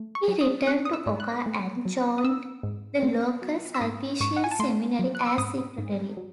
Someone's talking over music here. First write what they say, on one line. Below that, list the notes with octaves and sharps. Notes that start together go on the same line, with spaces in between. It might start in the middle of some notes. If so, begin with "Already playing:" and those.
He returned to Oka and joined the local Sulpician seminary as secretary.
Already playing: A3
C#6
F#3
D#6
C4 F#6
D#6
E6
G#2
F#6
A3
F#3
D#6
C4 E6
G#2
A3
F#3
E6
G#2 D#6
G#2 C#6
F#5
G#5
A5
A3 C6
F#3
F#6
E6
G#2 D#6
G#2
F#3